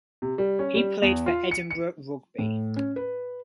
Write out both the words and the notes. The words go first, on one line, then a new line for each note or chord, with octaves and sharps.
He played for Edinburgh Rugby.
C3
G3
C#4
G3
E2
F4
C#7
C#7
A2
C#4
B4